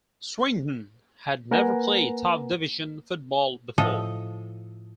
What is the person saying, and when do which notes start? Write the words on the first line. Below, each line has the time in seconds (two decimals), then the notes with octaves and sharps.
Swindon had never played top-division football before.
1.51 A#3 A#4 B4 F#5 G#5 A#5
3.78 A2 F3 A4 D#5